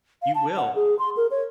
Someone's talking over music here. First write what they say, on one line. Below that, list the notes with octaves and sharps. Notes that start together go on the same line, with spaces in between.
you will.
F5
A5
F#5
G#4
C6
A#4
C#5